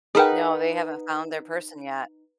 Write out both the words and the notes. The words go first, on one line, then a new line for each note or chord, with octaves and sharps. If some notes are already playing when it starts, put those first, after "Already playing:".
No, they haven't found their person yet.
D#4 G#4 A#4 B4 F#5 G5